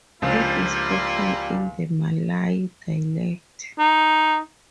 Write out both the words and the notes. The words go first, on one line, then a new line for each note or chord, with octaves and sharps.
It is spoken in the Malay dialect.
C#2 F3 G3 A#3 D4 E4 F4
D#4